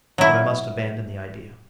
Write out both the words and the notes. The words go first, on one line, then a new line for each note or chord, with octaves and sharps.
But I must abandon the idea.
F#3 E4